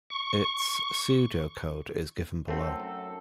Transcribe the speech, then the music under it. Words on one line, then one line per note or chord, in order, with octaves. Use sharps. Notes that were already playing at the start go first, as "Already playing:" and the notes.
Its pseudocode is given below.
C#6
F#2 F#3 A3 C4 D#4 A4 A#4 F#5